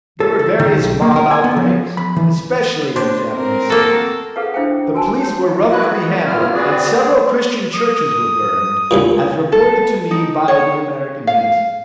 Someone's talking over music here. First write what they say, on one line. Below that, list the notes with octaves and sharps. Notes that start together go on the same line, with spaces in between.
There were various mob outbreaks, especially in the Japanese cities; the police were roughly handled, and several Christian churches were burned, as reported to me by the American Minister.
A4
A4
D#3
B1
A#3
A#4
G#5
B3
F3
B5
E3
A2 D4 C5
C4 A#4
A#3 F#4 A4
G#4 A4 B4 F5 F#5
D4 E4 C5 E5 G5
F#4 A#4 G#5 A5 C6
C#5
D#3 F3 E4 F#4 B4 F#6
D#3 B3
A#3 B3 E4 F4 F6
C4 F#4 G#4 B4 D5
G2 G#4
D#6
C2 G2 A#2
A4
D#4
C#5
F5